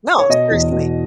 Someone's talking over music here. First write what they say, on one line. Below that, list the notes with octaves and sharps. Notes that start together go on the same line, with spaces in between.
No, seriously,
C#5
B2 D#5
E2
B2